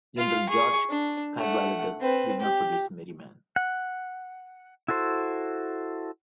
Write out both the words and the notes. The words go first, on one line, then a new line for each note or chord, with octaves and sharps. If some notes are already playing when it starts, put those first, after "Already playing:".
General George Cadwalader did not produce Merryman.
F4 F5
G#4 C#6
D4
A3 F#5
C4 B4
G4
F#5
E4 F#4 A4 C5